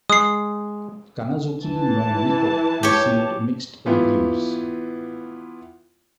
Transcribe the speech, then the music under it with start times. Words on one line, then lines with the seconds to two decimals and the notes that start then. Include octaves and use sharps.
"Kannazuki no Miko" received mixed reviews.
0.10 G#3 D#6 C7
1.65 E3 A5
2.83 G4 C#5
3.86 E3 B3 E4 F4 G4